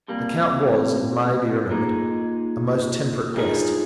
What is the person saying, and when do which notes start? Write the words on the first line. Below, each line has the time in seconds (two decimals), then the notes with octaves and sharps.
The count was, it may be remembered, a most temperate guest.
0.08 F2 C3 G3 A#3
1.71 A#2 G#3 D#4
3.34 G2 F3 G#3 D#4 G#4